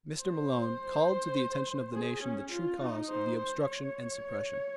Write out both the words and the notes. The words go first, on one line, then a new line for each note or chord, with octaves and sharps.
Mr. Malone called to the attention of the nation the true cause of the obstruction and suppression.
C5
G#4
C#4
F4
D#4
C5
C5
C#5